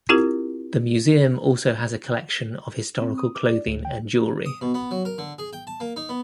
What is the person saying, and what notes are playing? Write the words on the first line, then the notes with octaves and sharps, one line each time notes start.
The museum also has a collection of historical clothing and jewellery.
C4 E4 F4 G4 A#4
C4
D#6
D6
D5
D2
G5
D#6
B2
B3
F#3
A#4
D3
G#4
G5
A5
A#3
D#4
B3